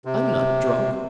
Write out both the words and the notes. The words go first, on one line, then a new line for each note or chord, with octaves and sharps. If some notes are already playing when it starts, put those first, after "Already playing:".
I'm not drunk.
C3